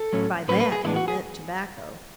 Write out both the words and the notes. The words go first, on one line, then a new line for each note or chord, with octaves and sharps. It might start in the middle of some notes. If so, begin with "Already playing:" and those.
By that he meant tobacco.
Already playing: A4
A2 F#3 A3 C#4
A2 F#3 A3 C#4 B4
B4
G#4
A2 E3 G#3 B3 D4 E4
F#4
G#4